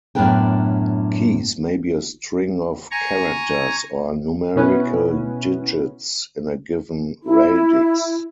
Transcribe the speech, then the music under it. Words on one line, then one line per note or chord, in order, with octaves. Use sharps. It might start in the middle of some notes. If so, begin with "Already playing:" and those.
Keys may be a string of characters, or numerical digits in a given 'radix'.
F#2 A2 B3 D4 A#4 G5
G#5 A#5 C#6
B2 B3 C#4 E4 B4
E4